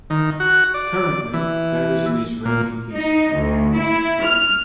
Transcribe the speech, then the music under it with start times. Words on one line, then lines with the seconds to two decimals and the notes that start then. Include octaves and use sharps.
Currently, there is an Israeli peace camp.
0.10 D#3
0.40 F#4
0.74 D5
1.33 E3
2.45 A#2
2.95 D#4
3.35 D2
3.77 E4
4.26 F6